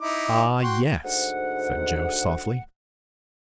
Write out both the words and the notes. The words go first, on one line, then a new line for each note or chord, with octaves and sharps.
"Ah, yes," said Joe, softly.
D#4 E4 D6
F#4 G5 C6
D2 G#2 F#5